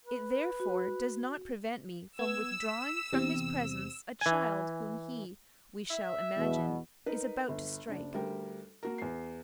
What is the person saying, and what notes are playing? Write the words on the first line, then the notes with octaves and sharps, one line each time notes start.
It, therefore, does not prevent me from withdrawing from his presence a child whom he, we shall imagine, is about to strike.
B4
F#4
B3 E6 G#6
B6
E2 C3 C4
E3 G#5
E5
E2 B2
D#4 A#4 B4
G1
F#1 D4 D5
D2 G3 A#4 G5
A#3 F#4 A#4
E2 C7